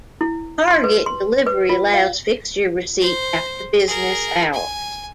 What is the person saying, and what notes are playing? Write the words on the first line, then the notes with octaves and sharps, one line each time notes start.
Target delivery allows fixture receipt after business hours.
E4
C6
B4
C6
B4
F4
F5
C5
G#4 A#4
G#5